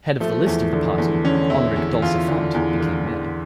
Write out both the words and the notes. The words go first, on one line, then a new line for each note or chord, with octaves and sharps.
Head of the list of the party, Enric Dolsa Font became mayor.
F3 A3
E2
D3
E2
D3 C#4
E2 E4
E2 E4
E2 F4
D3
E2
D3
E2